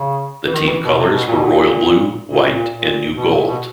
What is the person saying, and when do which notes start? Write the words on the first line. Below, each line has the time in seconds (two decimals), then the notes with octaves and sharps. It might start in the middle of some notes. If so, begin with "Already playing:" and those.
The team colors were royal blue, white and new gold.
Already playing: C#3
0.47 E3
0.54 D#3
0.68 E3
0.84 B2
0.97 C3
1.12 B2
1.27 A#2
1.34 B2
1.42 A#2
2.30 A#2
2.51 A#2
2.73 A#2
3.17 B2
3.32 A#2
3.46 B2